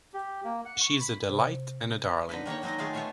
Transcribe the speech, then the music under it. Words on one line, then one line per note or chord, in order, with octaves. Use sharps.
She is a delight and a darling.
G4
A#3
F#5
C#6
B5
C3
D3 D#4 B4
D#3 A#3 G4 C#5
D#3 F#3 G#3 D#4 D#5
D#3 G#3 A3 F4 G4 G#4
A3 B3 F4 C#5 E5 F5